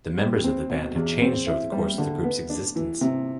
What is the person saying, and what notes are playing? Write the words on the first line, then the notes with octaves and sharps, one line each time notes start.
The members of the band have changed over the course of the group's existence.
G3
C4
B2
E2
C4
E4
G3
D3
B3
D4
E3
C3